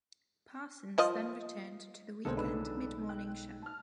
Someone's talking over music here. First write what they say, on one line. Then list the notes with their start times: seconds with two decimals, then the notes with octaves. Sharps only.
Parsons then returned to the weekend mid-morning show.
0.98 F3 F4 D#5
2.25 B1 D3 G#3 A#3 B3 A4 C5
2.37 C#2 D4 D#4 B4 E6
3.09 G5 F#6
3.62 A5 F6